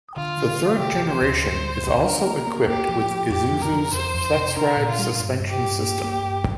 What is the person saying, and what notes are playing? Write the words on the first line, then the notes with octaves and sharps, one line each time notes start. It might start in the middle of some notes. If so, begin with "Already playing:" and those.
The third generation is also equipped with Isuzu's Flex Ride Suspension System.
D3 F4
D3
D3
C3 G4
C3
C5
D2
D3 C5
G3
D3
D4 A#4
A#3
A#3
A#3 G4
F3
F3
F2 G4
F3
A#4
F3
F2 C5
F2
C3
D4 A#4
A#2
F4
G3
G2
G2
G4
G2
A#3 G4
A#3
G2